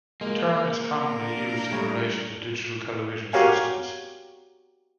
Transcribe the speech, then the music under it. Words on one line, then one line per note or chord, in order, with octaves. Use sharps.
The term is commonly used in relation to digital television systems.
G#3 A#3
D4 A#4
G3 A3 C#5
F#4 G4 A#4 C#5 F5 G#5